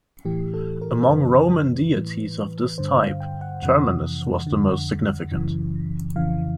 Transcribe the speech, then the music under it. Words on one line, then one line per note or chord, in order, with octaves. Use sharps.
Among Roman deities of this type, Terminus was the most significant.
A2 E3 G4
A4
A#4
F#2 C#3 E3 B4
A2 E3
G2 D3 C5
F5
G5
F#5
F2 C3 E3 F#5
D3
F2
F#2 C#3 E3
F2 C#3 E3 F5